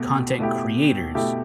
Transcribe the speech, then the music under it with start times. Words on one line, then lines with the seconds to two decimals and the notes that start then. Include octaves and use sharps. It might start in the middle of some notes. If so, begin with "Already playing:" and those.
content creators
Already playing: B2 A3 G4
0.39 B2 A3 E4 G4
1.15 B2 A3 E4 G4